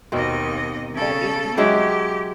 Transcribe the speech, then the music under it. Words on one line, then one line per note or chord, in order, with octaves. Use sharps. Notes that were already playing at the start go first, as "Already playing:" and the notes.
but if you
D#2 B2 C4 D#5
C#3 A4
F#3 G#3 G4 E5